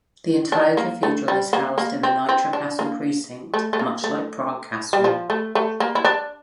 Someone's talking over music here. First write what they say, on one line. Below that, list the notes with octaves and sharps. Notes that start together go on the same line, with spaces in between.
The entire cathedral is housed in the Nitra Castle precinct, much like Prague Castle.
D4
A#3
A3
G3
A#3
A#3
C4
C4
D4
A#3
A3
A3
A#3
A3
G3
F3
A3
A3
A#3
E4
D4